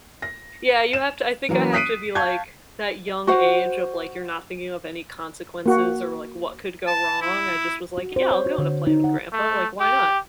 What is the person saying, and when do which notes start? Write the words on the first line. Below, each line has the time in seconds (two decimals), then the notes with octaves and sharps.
Yeah, you have to I think I have to be, like, that young age of, like, you're not thinking of any consequences, or, like, what could go wrong. I just was, like, "Yeah, I'll go on a plane with grandpa," like, "Why not?"
0.22 A#6
0.93 E7
1.49 E3 F#3 A#3 C#4
1.73 D#6 F#6 B6 C7 D7 D#7
2.15 F5 A5 C#6 G6 G#6
3.27 F#4 C5 F#5
5.66 A#3 F#4
6.87 A5
7.22 E4
7.98 F#4
8.16 C5
8.31 C#5
8.46 F#4
8.58 D3
8.87 D#4
9.04 F#5
9.33 A3
9.80 G4